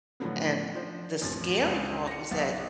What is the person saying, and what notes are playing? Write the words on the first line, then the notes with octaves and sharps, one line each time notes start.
and the scary part was that,
A2 D3 F3 F#3 A3 B3
F3 D4 C5
A1 F2 A6
C#2 D4 D#7
A#6 C#7
B1 E5 F#5 A6